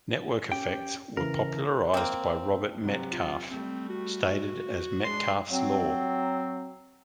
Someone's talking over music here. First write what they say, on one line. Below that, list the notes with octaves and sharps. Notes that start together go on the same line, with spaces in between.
Network effects were popularized by Robert Metcalfe, stated as Metcalfe's law.
C#4 G4 G5
C#3 E3 A#4
A#3 C4
C3 F#3
F4
G3 A3 C4
F#4
G#3 D4 C6
F#3 C4